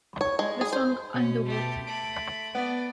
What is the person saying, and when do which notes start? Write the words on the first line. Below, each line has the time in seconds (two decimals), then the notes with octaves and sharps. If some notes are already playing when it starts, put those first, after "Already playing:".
The song Underwater!
0.21 C#5
0.39 G#3
0.61 G#4
0.73 C5
1.14 B2 C#4
1.46 A3 G4
1.87 A3 B5 D7
2.55 B3 D5